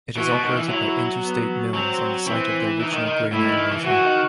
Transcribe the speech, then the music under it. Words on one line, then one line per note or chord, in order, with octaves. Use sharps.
It is operated by Interstate Mills on the site of the original grain elevator.
E3 F#4
B2
D#3
E3
F#3 E4
B3
F#3 C4
E3 C4
E3 D#4
D#3
D#3
A2 E4
D#3
D#3
E3
E3 F#4
D#3